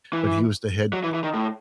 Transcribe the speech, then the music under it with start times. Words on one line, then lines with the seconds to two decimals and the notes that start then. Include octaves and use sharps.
but he was the head
0.13 E3
0.93 F#3
1.04 E3
1.14 E3
1.23 D#3
1.34 A2